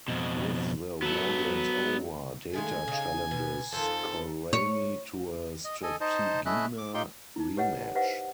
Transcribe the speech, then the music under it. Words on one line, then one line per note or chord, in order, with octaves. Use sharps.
With the wargames over, Data challenges Kolrami to a Strategema rematch.
F2 B2
F#3 B3 A4
D#3 G#3 A3 G#5
C#3 D#4
B2
F2 D#3 A4
C#5
D#5
A4 D#5 G#5
D#4 C5 D#5 A5
A3 C#4 E4 D#5 E5 F#6
D6
D#4 F4 G4 G5 C6
D#4 E4
G4 B4 C#5 D#5 F#5
G4 B4 C5 D#5 F5 F#5